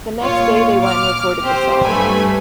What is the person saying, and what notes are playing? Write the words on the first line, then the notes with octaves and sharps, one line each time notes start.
The next day they went and recorded the song.
A#2 F4 C#5
D6 F6
C4 G4 C5
G2 A3 B4 G#5 B5